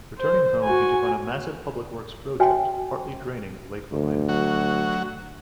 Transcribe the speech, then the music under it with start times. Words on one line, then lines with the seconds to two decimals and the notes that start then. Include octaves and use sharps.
Returning home he took on a massive public works project, partly draining Lake Velinus.
0.18 C5
0.64 F#4 G#5
2.40 F#4 C#5 E5 G5 G#5
3.92 D2
4.29 F#3 F#4